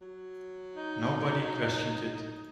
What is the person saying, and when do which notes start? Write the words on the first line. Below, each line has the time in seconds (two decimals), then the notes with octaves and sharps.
Nobody questioned it.
0.02 F#3
0.76 D#4